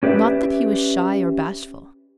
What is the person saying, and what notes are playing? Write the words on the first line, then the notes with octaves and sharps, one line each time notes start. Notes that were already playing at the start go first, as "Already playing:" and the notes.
Not that he was shy or bashful.
C#4 G4 B4 D5 E5